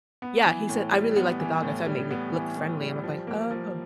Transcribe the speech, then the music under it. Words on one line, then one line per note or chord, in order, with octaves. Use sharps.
Yeah, he said, "I really like the dog, I thought it made me look friendly." I'm like, "Oh, ok"
B3
E3
A2
G3
B3
E3
A2
G3
B3
E3
A2
G3
F3
A#3
F3